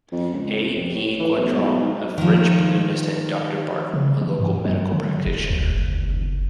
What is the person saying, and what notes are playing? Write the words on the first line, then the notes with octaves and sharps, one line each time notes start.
A E Gaudron, a French balloonist and Doctor Barton, a local medical practitioner.
F2
C#2
F1
A2
E3
B1
B1
G#2
D#3 F3
C#3
E3
G2
F#3
D3
F1
D2
F#1